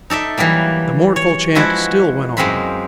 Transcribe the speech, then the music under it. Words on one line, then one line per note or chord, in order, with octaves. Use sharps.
The mournful chant still went on.
D#4 A4 D5 E5
E3 F#3 G3 A#3
C#5
F3 G#3 E4 F#4 B4 D5
F#2 G#3 A#3 C4 B5 C6